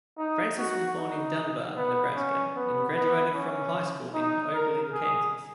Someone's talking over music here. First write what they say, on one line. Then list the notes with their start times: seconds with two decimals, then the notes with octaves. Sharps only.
Francis was born in Dunbar, Nebraska, and graduated from high school in Oberlin, Kansas.
0.18 D#4
0.58 F#4
0.97 D#4
1.76 B3
2.15 C#4
2.56 B3
2.95 B3
3.34 C#4
4.14 D#4
4.54 A#4
4.93 G#4